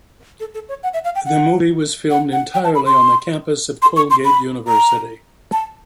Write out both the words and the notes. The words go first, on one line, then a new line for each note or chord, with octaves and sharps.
The movie was filmed entirely on the campus of Colgate University.
A4
A4
C#5
F#5
E5
F5
G5
F#5
F#5
F#5
G5
A5
B5
C6
C6
C#6
C6
B5
A#5
A5